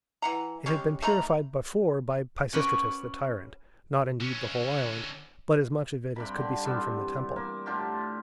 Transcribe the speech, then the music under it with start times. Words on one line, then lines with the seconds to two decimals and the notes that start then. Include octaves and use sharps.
It had been purified before by Pisistratus the tyrant; not indeed the whole island, but as much of it as could be seen from the temple.
0.22 E3 F#5 A#5
0.66 G3 G#3 C#4
1.02 A3 D#4 A#5 B5
2.53 C#4 F#4 B4 D5
4.21 D3 C#4
6.16 G2 C3 B5
6.37 D3
6.64 E3 G3 B3 C4
7.36 A#3
7.66 A2 D3 F4 G4